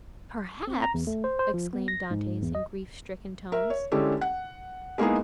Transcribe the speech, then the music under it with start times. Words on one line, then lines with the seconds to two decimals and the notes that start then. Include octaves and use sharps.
"Perhaps!" exclaimed Dantes in grief-stricken tones.
0.67 C4
0.82 A#5
0.94 E2
1.07 A3
1.24 C5
1.39 C5
1.54 F3
1.73 B3
1.88 A#6
2.11 G#2
2.43 E2
2.55 D#5
3.52 A#4 E5
3.70 C#5
3.92 D3 G#3 C#4 E4 G4 A4
4.21 F#5
4.98 G#3 A#3 B3 D#4 E4 G#4